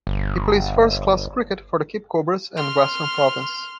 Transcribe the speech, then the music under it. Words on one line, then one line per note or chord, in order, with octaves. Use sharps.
He plays first-class cricket for the Cape Cobras and Western Province.
G1
C6 F6